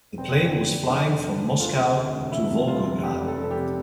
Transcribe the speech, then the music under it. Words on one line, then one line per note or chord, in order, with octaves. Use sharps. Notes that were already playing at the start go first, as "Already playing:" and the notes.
The plane was flying from Moscow to Volgograd.
F1 C4
D3
F1
F1
D3 D4
F1
F1
D3
D2 F4
C3
D2
E1
E1 E4
C3
E1 F4
C3
F1 G4
F1
A4
C3
A4
G4
C3